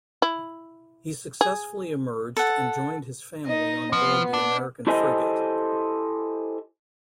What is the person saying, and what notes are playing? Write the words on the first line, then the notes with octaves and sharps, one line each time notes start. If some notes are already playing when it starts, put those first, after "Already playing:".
He successfully emerged and joined his family on board the American frigate.
E4
G#4
A4 F#5
D#4 D#5
F3 B3
D4
E4 G4 A4 C5 D#5 G#5